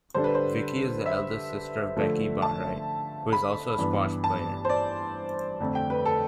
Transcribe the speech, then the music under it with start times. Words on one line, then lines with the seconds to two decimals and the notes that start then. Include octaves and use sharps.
Vicky is the elder sister of Becky Botwright, who is also a squash player.
0.14 D3 G3 D4 C5
0.24 B4
0.35 C5
1.06 E5
1.96 D3 F3 A3
2.42 A5
3.32 B5
3.79 G2 E3 B3 D4
4.24 A5
4.65 C5
4.69 D5
5.60 F2 D3 A3 C4
5.75 G5
5.90 B4
6.05 A4